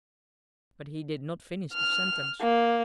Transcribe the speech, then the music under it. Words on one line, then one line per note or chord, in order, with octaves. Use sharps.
But he did not finish the sentence.
F6
A#3